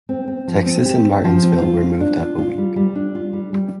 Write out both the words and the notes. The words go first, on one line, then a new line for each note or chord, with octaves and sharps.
Texas and Martinsville were moved up a week.
C4
C4
F3
C4
G4
C4
F3
C4
F4
F4
D4
F4
F4
G3
G3
D4
F4
G3
G3